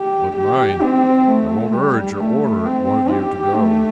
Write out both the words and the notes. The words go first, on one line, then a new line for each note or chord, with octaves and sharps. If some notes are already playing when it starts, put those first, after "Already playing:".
But mind, I won't urge or order one of you to go.
Already playing: G4
G4
C4
A3
G3
A3
C4
G4
A3